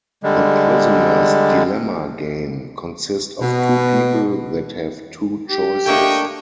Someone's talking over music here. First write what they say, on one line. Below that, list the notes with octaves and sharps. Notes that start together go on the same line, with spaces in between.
The Prisoner's Dilemma game consist of two people that have two choices.
D3 G3 G#3
B2
G4
A3 A#3 D4 D#5 G5 C#6